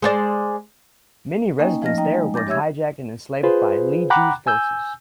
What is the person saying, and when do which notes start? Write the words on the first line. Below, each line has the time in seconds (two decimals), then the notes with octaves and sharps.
Many residents there were hijacked and enslaved by Li Jue's forces.
0.02 G#3 C5 D5
1.59 A#3 C#4 D#4 D#5 G5 G#5
1.82 F3 A3 D#5 F6 A#6
1.98 D#4 D#5 G5 A#5
2.14 G#3
2.34 D6 G6 A6 A#6
2.47 G4 C#5 E5 E6 G#6
3.43 F4 G#4 B4 C5
4.10 F#5 G5 A#5 B5 D6 F#6
4.47 G#5 E6 G6